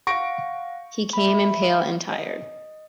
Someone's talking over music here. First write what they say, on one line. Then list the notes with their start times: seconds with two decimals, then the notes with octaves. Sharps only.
He came in pale and tired.
0.07 F5 F#5 C#6 A#6 D7
1.13 E5 B5
2.12 D#5